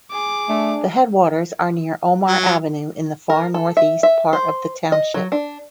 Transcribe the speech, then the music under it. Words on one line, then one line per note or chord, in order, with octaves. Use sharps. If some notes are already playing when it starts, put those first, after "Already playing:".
The headwaters are near Omar Avenue in the far northeast part of the township.
G#4 D6
A3 D4
F#3
A#4
A4
E5
E5
C5
D#5
F#3
D4